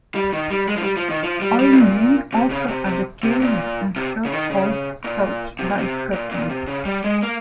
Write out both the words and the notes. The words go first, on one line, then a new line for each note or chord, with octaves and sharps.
Oyne also has a cade and shop called touched by Scotland.
G3
D#3
G3
G#3
F3
G3
F3
D#3
F3
G3
G3
C3
A#2
C3
C#3
C3
C3
C3
A#2
C3
C#3
D#3
C#3
A#2
C3
A#2
C3
A#2
A#2
C3
C#3
G3
G#3
A#3